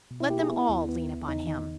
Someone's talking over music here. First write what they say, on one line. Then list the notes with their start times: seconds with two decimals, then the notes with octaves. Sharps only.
Let them all lean upon him.
0.11 B2
0.20 E4
0.30 A#3 G4
0.40 G#4
0.50 B3 E4
0.69 D#2
0.89 B3
1.09 B3
1.28 E2 D#4
1.47 D#3 D#4